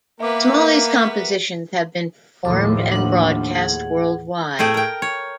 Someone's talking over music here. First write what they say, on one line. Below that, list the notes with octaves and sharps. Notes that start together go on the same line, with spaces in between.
Smalley's compositions have been performed and broadcast worldwide.
A#3 B3 A#4 B4 E5 D6
D#2 A2 F3 A4 D6
D4 F#5
G#4 F#5
A2 A3 G#4 G5
A#4 G5
C#5